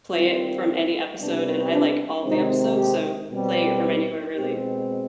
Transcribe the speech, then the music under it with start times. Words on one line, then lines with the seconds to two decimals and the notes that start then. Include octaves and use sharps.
play it from any episode, and I like all the episodes, so playing it from anywhere really,
0.13 D#3 G3 C4 F4
1.19 C3 G3 B3 D4
1.72 D4
2.24 C3 D#3 G#3 C4 D#4
2.77 G4
3.30 B2 G3 C4
4.36 B2 G#3 C4 G4